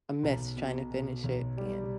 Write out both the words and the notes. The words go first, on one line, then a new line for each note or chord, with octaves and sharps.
a mess trying to finish it, and
B1
B2
B2
B1
G3